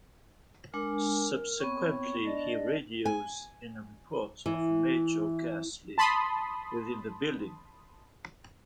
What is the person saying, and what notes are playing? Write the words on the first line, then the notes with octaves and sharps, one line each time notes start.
Subsequently, he radios in a report of a major gas leak within the building.
G#3 D4 A#4 G#5
B3 C4 C#5 C#6
D4 D5 D#5
G#5
E3
A5 B5 C6 D#6